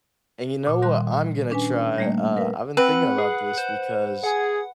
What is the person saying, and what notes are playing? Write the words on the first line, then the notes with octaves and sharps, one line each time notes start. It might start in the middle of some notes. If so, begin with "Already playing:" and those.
And you know what I'm gonna try? Uh, I've been thinking about this, because,
A#2
D#3 G3 C6 F#6
C#4 D4 B4 G#5
G3 A3 A#3
A#4 B4
C4 B4 F#5
G#4
C5
G#4 F#5